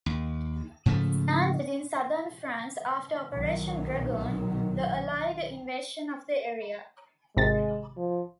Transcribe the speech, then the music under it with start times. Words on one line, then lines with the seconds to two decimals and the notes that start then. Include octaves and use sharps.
It landed in southern France after Operation Dragoon, the Allied invasion of the area.
0.06 D#2
0.86 G#2 C#3 F3 A3
3.33 B1 D#3 F#3
7.37 G#1 C3 G#3 A6
7.97 F3